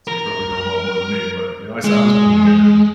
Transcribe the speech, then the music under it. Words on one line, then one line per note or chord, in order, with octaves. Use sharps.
so you probably know a lot more than me, but, you know, I s I was playing in band.
A#4
G#3